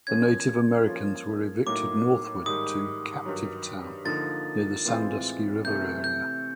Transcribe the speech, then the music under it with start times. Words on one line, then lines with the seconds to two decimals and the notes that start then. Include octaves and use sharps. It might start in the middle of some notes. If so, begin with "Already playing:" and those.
The Native Americans were evicted northward to "Captive Town" near the Sandusky River area.
0.07 F3 A#3 C#4 G#6
0.87 F3 A#3 C#4 F4
1.67 A2 F#3 A#3 D#4 D6
2.46 G#2 D#3 G3 D#6
3.26 G2 D#3 F#3
4.05 D3 F3 A#3 D#4 A6
4.85 A2 E3 G#3 C4 F4
5.64 C3 E3 A3 G6
6.04 G6